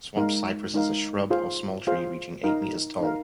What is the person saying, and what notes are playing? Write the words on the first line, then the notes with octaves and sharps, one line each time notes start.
Swamp cypress is a shrub or small tree, reaching eight metres tall.
G#3 D#4 A#4 F5
G#3 D#4 A#4 F5
F4 G#4 C5 F5
F4 G#4 C5 F5
D#4 A#4 F5
D#4 A#4 F5